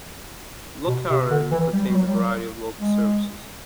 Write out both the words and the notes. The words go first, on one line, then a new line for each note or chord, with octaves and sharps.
Lochcarron contains a variety of local services.
B2
C3
D3
E3
G3
G3
F#3
G3
F#3
G#3